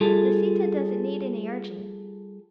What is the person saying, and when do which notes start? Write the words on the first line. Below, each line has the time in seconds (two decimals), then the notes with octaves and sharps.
Lisita doesn't need any urging.
0.01 G3 F4 G#4 A4